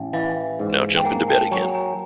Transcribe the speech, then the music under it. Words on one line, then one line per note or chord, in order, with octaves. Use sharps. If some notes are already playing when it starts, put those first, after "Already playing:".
Now jump into bed again.
Already playing: A1
E3 D#5 F5
G#2
G5
A#3 F#5 G#5
G5 A5
F#3 G#5 A#5
G#5 A#5